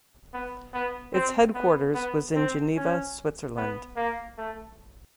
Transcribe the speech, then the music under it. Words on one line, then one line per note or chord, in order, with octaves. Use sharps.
Its headquarters was in Geneva, Switzerland.
B3
B3
C4
B3
B3
C4
C#4
B3
A#3
A3